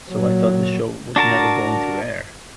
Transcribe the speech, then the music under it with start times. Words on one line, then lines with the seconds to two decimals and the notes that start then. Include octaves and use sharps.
So I thought the show was never going to air.
0.12 A#2 F#3
1.16 D4 F#4 A#4 A5